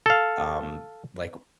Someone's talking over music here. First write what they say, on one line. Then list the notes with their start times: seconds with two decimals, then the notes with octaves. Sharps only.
um, like,
0.06 A4 F5